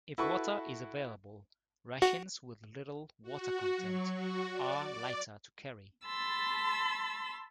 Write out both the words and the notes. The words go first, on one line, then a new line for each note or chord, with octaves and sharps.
If water is available, rations with little water content are lighter to carry.
E4 F#4 A4 B4 C#6
F#4
F#4
F#3
F#4
D5
D5
A5 B5 C6 E6 A6